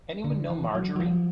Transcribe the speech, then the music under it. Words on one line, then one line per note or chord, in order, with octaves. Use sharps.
Anyone know Marjorie?
D3
E3
F#3
F#3
F3